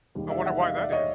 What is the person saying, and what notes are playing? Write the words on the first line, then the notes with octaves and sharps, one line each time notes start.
I wonder why that is.
E1 D#2 D#3 G3
D5 E5
E5 F#5
D#5 F5
D5 E5
C#5 D#5